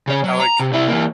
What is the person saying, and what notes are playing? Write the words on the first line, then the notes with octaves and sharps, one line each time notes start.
I like
C#3 C#5
F#3
A#5
C3
C3 E4
E3 A#3